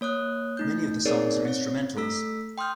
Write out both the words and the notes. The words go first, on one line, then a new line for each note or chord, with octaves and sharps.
Many of the songs are instrumentals.
A#3 C#5 D#6 F#6
A3 D#4 G6
C4 D#4 G#4 A#4 C#5 D5
C4 C#5
A3 A4 E6 B6
G5 C6 D#6 F6 G6